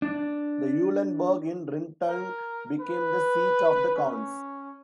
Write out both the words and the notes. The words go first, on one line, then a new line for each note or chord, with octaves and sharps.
The Eulenburg in Rinteln became the seat of the counts.
D4
A#4
B4
C#4